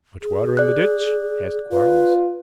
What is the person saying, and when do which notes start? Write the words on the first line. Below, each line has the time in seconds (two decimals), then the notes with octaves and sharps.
"Much water in the ditch?" asked Quarles.
0.22 G#4
0.57 D5 F#6
1.72 F4 B4